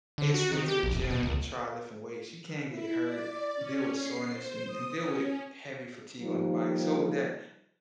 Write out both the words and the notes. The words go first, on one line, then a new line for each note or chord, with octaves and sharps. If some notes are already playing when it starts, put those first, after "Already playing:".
instantly into the gym and try lifting weights, you can get hurt, deal with soreness, and and deal with heavy fatigue on the body. So with that,
D3
F#4
D#3
G4
A#1
D#1
B2
C#2
E4
D5
C#4
C7
C5
D#6
C#4
D#3 F3 G3 A#3 D#4